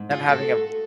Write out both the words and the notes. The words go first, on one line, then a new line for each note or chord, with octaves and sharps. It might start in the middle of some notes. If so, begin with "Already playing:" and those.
them having a
Already playing: G#2
F4 G#4
A3 F#4 A4